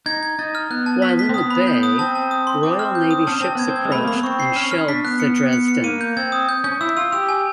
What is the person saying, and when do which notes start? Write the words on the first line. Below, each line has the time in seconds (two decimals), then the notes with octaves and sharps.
While in the bay, Royal Navy ships approached and shelled the "Dresden".
0.06 D#4 G#6
0.23 G#6
0.39 D#4 A6
0.55 F6
0.70 B3 F#6
0.86 A5
1.02 B6
1.19 B6
1.29 C4
1.34 B3 D#6
1.50 B5
1.67 G6
1.83 D#6
1.99 C4 A5
2.15 A5
2.31 D#6
2.47 C6
2.63 C4 D6
2.79 F6
2.95 G6
3.11 D#6
3.27 C#4 A5
3.41 C4 A5
3.55 B3 G#6
3.68 C4
3.76 G#6
3.85 G#3
3.92 A3 B5
4.05 A#3 B5
4.14 B3
4.23 C4 C#6
4.40 C7
4.56 C#4 F6
4.71 C#4 F6
4.88 D4 B6
5.04 B3 F#6
5.20 C#7
5.36 C#7
5.53 C#7
5.68 C#7
5.84 A#3 D#7
6.01 G6
6.17 C4 G#6
6.32 D#6
6.49 G6
6.64 C#4 G6
6.81 E4 E6
6.97 F4 E6
7.12 G4 E6
7.29 G#5